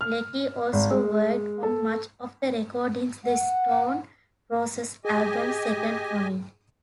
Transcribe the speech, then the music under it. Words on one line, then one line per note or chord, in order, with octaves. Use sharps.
Leckie also worked on much of the recording the Stone Roses' album "Second Coming".
F6
G#1
G#3
A4
F#5
G4 G#4 D#5 G#5